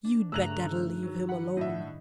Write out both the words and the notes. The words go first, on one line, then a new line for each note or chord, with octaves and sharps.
You'd better leave him alone.
D4
G2 C#3 A3 G#4 A#5 E6 F#6 F7
D#3
F#3
F#5 B5
A2 D4 D#5 E5